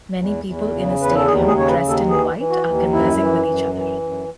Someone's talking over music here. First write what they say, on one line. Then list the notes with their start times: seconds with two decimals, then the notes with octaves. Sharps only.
Many people in a stadium dressed in white are conversing with each other.
0.16 E2
0.44 E2
0.72 C#3
0.99 E2 B4
1.15 A4
1.27 D#2 G#4
1.47 G#4
1.54 C#3 C#5
1.68 B4
1.81 D#2
1.89 A4
2.09 E3 G#4
2.36 E3
2.50 F#4
2.65 D#2
2.92 F#2 E4
3.19 E3
3.47 F#2
3.74 E3
4.02 F#2